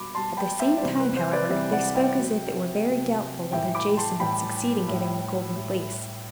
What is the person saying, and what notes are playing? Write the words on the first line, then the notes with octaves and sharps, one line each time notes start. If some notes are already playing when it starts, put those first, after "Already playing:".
At the same time, however, they spoke as if it were very doubtful whether Jason would succeed in getting the Golden Fleece.
Already playing: B2 G3 B5 D6
B2 G3 A5 C6
G5 B5
E5 G5
D5
C3 E3 G3 C5
B4
C5
B4 D5
C3 E3 G3 C5 E5
D5 F#5
E5 G5
C3 F#3
C3 F#3
A2 E3 G3 E5 G5
B5 D6
A5 C6
A2 E3 G3 G5 B5
A2 G3
A2 G3